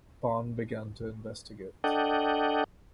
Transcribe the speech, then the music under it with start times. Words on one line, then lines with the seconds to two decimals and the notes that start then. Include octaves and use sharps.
Paan began to investigate.
1.84 D4 A4 D#5 F#5 G5